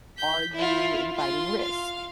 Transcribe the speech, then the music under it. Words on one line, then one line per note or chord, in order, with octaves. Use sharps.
are you inviting risk?
G6 B6
E4 F4
F4 C6
F5